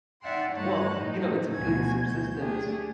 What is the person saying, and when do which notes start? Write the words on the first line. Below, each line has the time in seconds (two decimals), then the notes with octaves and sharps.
Well, you know, it’s a good subsistence,
0.22 D#4 D5 E5 F#5 G5 C6
0.52 G2 A3 D#4 C#5 A5 F#6
0.94 A2 F3 F#3 D#4
1.54 D2 B2 F3 F#4 G#5 G#6
2.06 D2 F#3 G6
2.38 A3 D4 G4 G#4